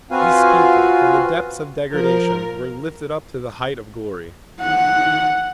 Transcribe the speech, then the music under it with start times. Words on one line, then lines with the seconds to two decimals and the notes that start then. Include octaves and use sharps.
This people from the depths of degradation were lifted up to the height of glory.
0.11 C4 F4 F#4 B4 F5 G#5
1.93 F3 A#4
4.60 F#5